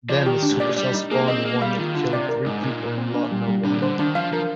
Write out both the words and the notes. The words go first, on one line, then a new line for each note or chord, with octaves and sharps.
Then the supercell spawned one that killed three people in Lawton, Oklahoma.
F3 D5
D#3 G4
D4
G#2
A#2 D5
G3 D5
D#4
A#3 G#4
C4 D#5
A#3 G#4
G3 F5
D#3 F4
D3 F4
C3 D5
A#4
G#2 D#4
A#2 D#4
D#4
C4
D4
G3
G3
C3 D4
D#3
D3 C5
D#3 D4
F3 F5
F3 A#4